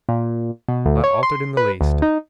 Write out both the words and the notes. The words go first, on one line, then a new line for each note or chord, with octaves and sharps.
Not altered in the least!'
A#2
B2
D2
C#5
C6
B4
D2
D#4